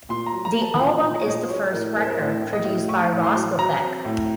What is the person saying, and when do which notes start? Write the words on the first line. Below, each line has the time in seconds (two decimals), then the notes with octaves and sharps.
The album is the first record produced by Roscoe Beck.
0.09 A#2 C6
0.26 A#5
0.32 F#3
0.45 A#5
0.57 F#3
0.62 A5
0.79 A#2 F5
1.02 A#2
1.14 D#5
1.21 C#5
1.26 A#2 D#5
1.40 C5
1.49 F#3 C#5
1.72 A2 A#4
1.96 C4 A#4
2.03 C5
2.10 A#4
2.18 A2 C5
2.42 A2
2.53 D#5
2.65 A2
2.88 A2 C#6
3.12 A2
3.23 C6
3.35 F#3
3.59 F#3 A#5
3.81 C4
4.05 A2